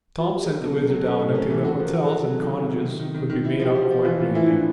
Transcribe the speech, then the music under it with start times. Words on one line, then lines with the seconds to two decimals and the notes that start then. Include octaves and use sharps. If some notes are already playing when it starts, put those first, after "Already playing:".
Tom sent the WHIZZER down until the hotels and cottages could be made out quite plainly.
0.20 F4
0.28 F#4
0.36 G4
0.44 F#3 G#4
0.60 B2
0.65 A4
0.74 B2
0.84 A#4
0.90 F#3
1.04 C#4 A4
1.19 A2
1.34 C#4 A#4
1.50 E3
1.65 F#4 A4
1.79 F3
1.85 A#4
1.94 F#4
1.99 G#4
2.05 F#4 A4
2.24 F#3
2.40 D#3
2.55 C3
2.69 C3
2.85 D#3
3.00 D#3
3.14 D#3
3.30 D#3
3.44 E4
3.60 F3
3.65 G4
3.75 F3
3.85 F#4
3.91 F3
4.05 E3 F4
4.20 A2 F4
4.35 E3 E4
4.50 E3 D4